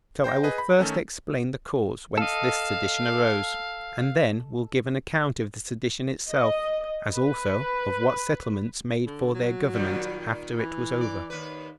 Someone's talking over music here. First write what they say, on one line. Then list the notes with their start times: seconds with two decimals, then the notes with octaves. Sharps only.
So I will first explain the cause whence this sedition arose, and then will give an account of the sedition itself; as also of what settlements made for their government after it was over.
0.24 C5 G5 G6 A#6
0.43 G#4 B4 D#5
0.58 B5
0.79 D#3 A3 C#4 A4
2.18 A4 D#5 F5
6.27 D#5
7.14 B4
9.06 D3
9.34 F#3
9.74 A#2 D#3 G3
10.58 E3
11.01 D5
11.30 D#2 B4